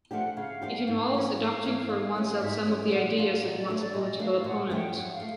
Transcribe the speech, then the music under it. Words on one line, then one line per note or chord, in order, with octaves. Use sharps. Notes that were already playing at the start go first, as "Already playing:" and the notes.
It involves adopting for oneself some of the ideas of one's political opponent.
F3 A3 D4 G4 F#5
C#3 F5
F3 A3 D4 G4
G#2
E3 A3 C#4
G#2 F5
E3 A3 C#4
G#2
E3 A3 C#4
F5
G#2 E5
E3 A3 C#4
A#2 F#5
F3 A3 D4 F5
A#2 D#5
D5
F3 A3 D4 C#5
D5
A#2 D#5
F3 A3 D4 F5
A#2 F#5
F3 A3 D4 G5
F#2 F#5
F5
A3